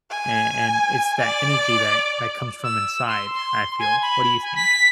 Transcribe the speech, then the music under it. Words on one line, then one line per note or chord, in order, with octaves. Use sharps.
A and it's that energy that that comes from inside, I feel. What do you think?
G#5
D5
E6
C6
C6
G#5
B5
G#5
B6